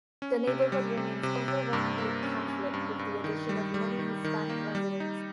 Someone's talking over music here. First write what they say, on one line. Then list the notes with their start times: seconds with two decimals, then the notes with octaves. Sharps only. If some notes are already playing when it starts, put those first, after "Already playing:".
The neighborhood remains overwhelmingly Catholic with the addition of many Hispanic residents.
0.22 C#4
0.47 C3
0.72 G3
0.97 C3
1.23 C3
1.48 C3
1.73 G2
1.98 A#3
2.23 C#4
2.48 C#4
2.74 G2
2.99 G2
3.24 D#3
3.49 G3
3.74 G3
3.99 D#3
4.24 D#3
4.49 A#3
4.75 G3
5.00 D#4